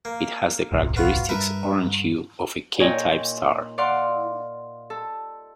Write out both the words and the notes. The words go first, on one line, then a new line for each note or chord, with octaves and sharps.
It has the characteristic orange hue of a K-type star.
A#3
D#1 C2 G#2
B3 F4 F#4
G2 A#4 B4 E5
A#2 D#4 C#5 D#5 G5 G#5
D5 F5 F#5 C6
A4